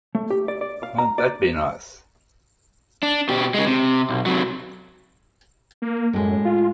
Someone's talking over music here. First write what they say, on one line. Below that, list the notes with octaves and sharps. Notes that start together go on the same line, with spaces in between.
Won't that be nice?
A3
G4
D5
D5
F5
A#5
D5
D4
B2 G4
C#3 G#3
C3
B1
C3 F#3
A#3
F#2 A2 G#3
F4